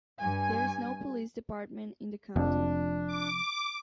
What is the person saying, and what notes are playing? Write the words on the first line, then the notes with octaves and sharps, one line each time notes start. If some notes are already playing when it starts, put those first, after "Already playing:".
There is no police department in the county.
G2 G#5
F1 F2 D4
D6